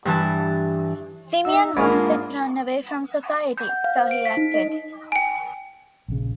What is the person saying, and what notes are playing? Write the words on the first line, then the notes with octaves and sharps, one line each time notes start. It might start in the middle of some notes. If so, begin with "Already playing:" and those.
Simeon wanted to run away from society, so he acted.
G2 E3 A5
D#4 E5 E6
G#2 A#3 D4 F4 A#4 B5 D#6 F6
G6
F#5
F5
C5
D7
B6
D#4
D#5
G5 G#5
A#1 C#3